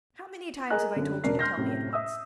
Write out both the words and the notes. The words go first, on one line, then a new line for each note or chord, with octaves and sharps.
"How many times have I told you to tell me at once?"
G#4 A#4 D#5 G#5 A#5 F#6
F#2 D3
E1 C#3 D4 A#4 C7
C6 F6 G6 A#6
F#2 A2 C3
E5 D#6 E6